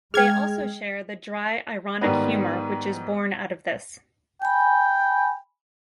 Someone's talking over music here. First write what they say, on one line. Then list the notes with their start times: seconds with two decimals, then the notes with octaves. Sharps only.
They also share the dry ironic humour which is borne out of this.
0.14 G#3 G#4 G5 F6 G#6
2.01 G#2 D#3 G3 B3
4.42 G5 G#5 B5